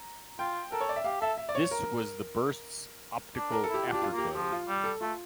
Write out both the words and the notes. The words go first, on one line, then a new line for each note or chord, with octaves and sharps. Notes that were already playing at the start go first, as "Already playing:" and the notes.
This was the burst's optical afterglow.
Already playing: A#5
F4 G5
A4 A#4
C#5
D5
E5
G4 F5
A4 E5
E5
D5
C#5
A#4
D4
A#4
A4
E4
G4
F4
D4 G4
F4
A#3
G4
F3 G4
F4
G3
A4
A3 F4